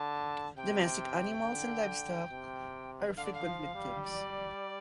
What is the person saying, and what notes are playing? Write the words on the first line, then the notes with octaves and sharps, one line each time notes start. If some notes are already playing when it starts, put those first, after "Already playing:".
Domestic animals and livestock are frequent victims.
Already playing: D3 A5
C3 G5
D3
C3
D3 F5
D5
F5
F3
G3
D5